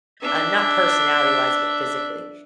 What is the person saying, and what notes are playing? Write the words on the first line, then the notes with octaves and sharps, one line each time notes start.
Uh, not personality-wise, but physically.
D4 E5